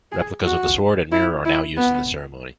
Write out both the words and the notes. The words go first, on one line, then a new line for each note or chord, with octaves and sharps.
Replicas of the sword and mirror are now used in the ceremony.
G#4
F#4
E4
E4
B3